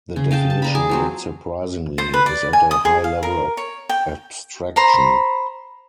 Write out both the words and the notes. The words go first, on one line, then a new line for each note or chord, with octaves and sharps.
The definition, not surprisingly, is at a high level of abstraction.
C#3
D#5 F5 G5 A5
A5
D5 A#5 B5
G#4 G#5 A5 D6
F3 F#3 C4
C5
B4
D5
G#5
D#6
G#4
F5
A#4
C#5
G5
C5 A#5 B5